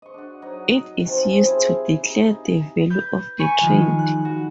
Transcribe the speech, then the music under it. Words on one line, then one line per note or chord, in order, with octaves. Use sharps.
It is used to declare the value of the trade.
D#5 C#6
D4 F#4
F#3 D#4 D#5
C3 F3 C#4 D#4
E4 G#4 C5
D#4
B4 G6
G#5 B5 C#6 C#7 D#7
D#3 F3 G#3
F#6
F#4